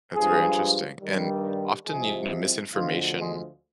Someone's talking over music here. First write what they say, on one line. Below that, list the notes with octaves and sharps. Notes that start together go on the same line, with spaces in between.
That's very interesting, and often, you know, misinformation
G2 F3 G#3 G#4
G2 D#3 G3
C2 C3 F3 G#3 G#4
D2 D3 F3 G#3 F4
G#3